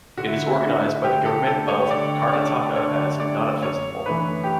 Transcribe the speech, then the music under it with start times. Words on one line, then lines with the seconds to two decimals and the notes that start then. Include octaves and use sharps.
It is organized by the Government of Karnataka as "Nada Festival".
0.17 D3 F#4
0.27 E4
0.47 E4
0.60 A3 D4 F#4
1.04 D3 G4
1.25 A4
1.47 A3 D4 A4
1.68 C#5
1.90 D3 D5
2.28 C#5
2.33 A3 D4 D5
2.76 D3 C#5
3.19 A3 D4 D5
3.62 F#2 C#5
4.06 E3 A3 D4 B4
4.44 G4